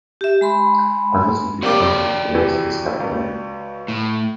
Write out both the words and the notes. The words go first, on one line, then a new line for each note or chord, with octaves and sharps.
Others would be planted for later discovery.
G4 E5
G#3 B5 C6
C3 A#3 F#4 D5 G5 D6
C3 E3
C#2
A2